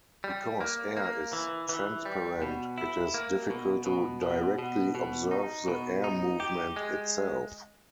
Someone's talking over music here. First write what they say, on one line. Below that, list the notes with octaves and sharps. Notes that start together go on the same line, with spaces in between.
Because air is transparent it is difficult to directly observe the air movement itself.
G3
A#3
A#3
E3
E3
G3
B2
E4
A#3
B2
B2
B2
B2
B2
D#4
B2
D#4
G4
G#3